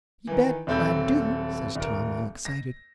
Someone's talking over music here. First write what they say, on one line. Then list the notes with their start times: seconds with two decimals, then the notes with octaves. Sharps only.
"You bet I do," says Tom, all excited.
0.27 D#3 E3
0.67 D#1 F#3 C4 A4 B5 G6
1.75 D#1 A#4
2.45 A#6